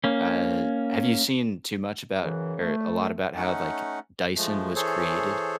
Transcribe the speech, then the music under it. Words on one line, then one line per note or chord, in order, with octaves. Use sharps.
uh, have you seen too much about or a lot about how, like, Dyson was created?
A#3 C#4
F#2 C#3 E3
A3
A3 C#4 D#4 F#5
F3 G#3 A3
E3 G#4 A4 C5 C#5